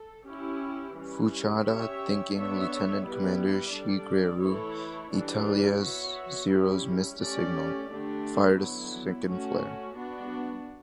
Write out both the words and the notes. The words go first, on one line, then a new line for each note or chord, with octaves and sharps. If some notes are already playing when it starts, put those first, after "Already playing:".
Fuchida thinking Lieutenant Commander Shigeru Itaya's Zero's, missed the signal, fired a second flare.
Already playing: A4
C#4 E4 G4
E3 G3 C#4 E4
C#4 G4 C#5 E5
B3 D4 A4 C#5 E5
G3 B3 E4 G4 B4
G3 D4 A4 D5
E3 A3 E4 A4 C#5
E3 G3 D4
B3 F#4 C#5 E5
G3 C#4 E4 G4
A3 C#4 G4 D5
D3 A3 D4 G4
D3 F#3 B3 E4
A3 C#4 F#4
B3 D4 F#4